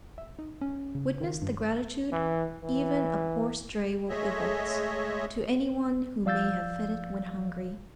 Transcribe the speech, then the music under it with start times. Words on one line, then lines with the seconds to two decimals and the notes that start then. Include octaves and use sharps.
Witness the gratitude even a poor stray will evince, to any one who may have fed it when hungry.
0.18 E5
0.39 D#4
0.61 C#4
0.95 C#3
1.21 D#3
1.42 G2
2.12 E3
2.63 E3
4.09 G#3 A3 G#4 C#5 D#5 E5
6.25 F3 D5 F5 E6 G6 A6